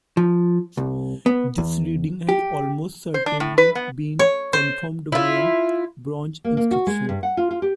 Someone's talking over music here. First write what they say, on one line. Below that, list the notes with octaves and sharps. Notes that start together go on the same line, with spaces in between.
This reading has almost certainly been confirmed by a bronze inscription.
F3
C2
B3
E2
G4
C5
D4
A2
B4
B3
C#5
C5
E4 F4
A#3
A#3
F#4
G#3
G2
F#5
F4
F4
G4